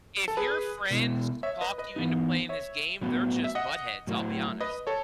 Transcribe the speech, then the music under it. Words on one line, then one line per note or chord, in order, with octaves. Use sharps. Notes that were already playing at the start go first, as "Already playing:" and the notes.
If your friends talk you into playing this game, they're just buttheads. I'll be honest.
A4
G#4 B4
B2 G#3 B3 E4
C#5 E5
B4 D#5
B4 D#5
E3 B3 D#4
C#5 E5
A2 F#3 B3 F#4
E5
D#5 F#5
A2 F#3 A3 E4
B4 D#5
A4 C#5